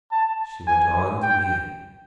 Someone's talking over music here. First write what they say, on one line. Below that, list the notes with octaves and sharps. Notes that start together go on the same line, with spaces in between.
She went on to the end.
A5
G#5
G5